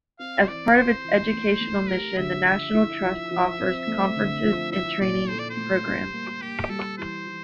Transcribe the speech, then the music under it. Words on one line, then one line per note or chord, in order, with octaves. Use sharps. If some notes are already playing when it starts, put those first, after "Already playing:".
As part of its educational mission, the National Trust offers conferences and training programs.
C4 F5
C5
E3 D5
C4 C5
E3
A3
A3
G4 A#4
D3 E5
F3 E5
E4
F3
F3
C4
A3
D3
F3
E4 E5
A#2 D5
A4 C5
D5
C5
A3
G3
A#3
A#3 G4
G3 A4
E3 C5
E3